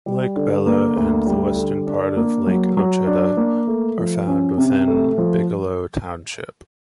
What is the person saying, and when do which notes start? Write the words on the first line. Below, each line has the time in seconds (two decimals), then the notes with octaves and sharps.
Lake Bella and the western part of Lake Ocheda are found within Bigelow Township.
0.06 G3
0.36 D3
0.67 A#3
0.96 D2
1.26 G3
1.57 D3
1.87 D4
2.17 A#3
2.47 F#3
2.77 F#3
3.07 D4
3.37 A#3
3.67 A3
3.98 F3
4.28 C#4
4.58 C3
4.88 A3
5.18 F3